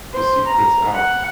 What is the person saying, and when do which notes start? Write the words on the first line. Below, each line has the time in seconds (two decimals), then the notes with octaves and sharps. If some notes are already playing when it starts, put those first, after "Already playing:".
The secret's out.
0.13 C5
0.46 A#5
0.94 F#5